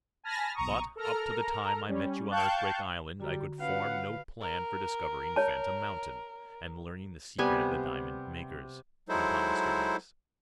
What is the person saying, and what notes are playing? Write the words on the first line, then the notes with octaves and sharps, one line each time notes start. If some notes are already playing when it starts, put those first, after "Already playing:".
"But, up to the time I met you on Earthquake Island, I could form no plan for discovering Phantom Mountain, and learning the secret of the diamond makers," went on Mr. Jenks.
G#5 A5 B5 F6 A#6
B1 A#5 C#6 D#6
A4 A#4 A#5 F6
G3 C#4
F5 G5 A5 C#6 F#6 G6
D3 G3 F#4 A#5
C#4 F4 B4 F5 F#5
A#4
C#5 A5
C3 G3 B3 G#5
F#3 G#3 D#4 E4 A4 C5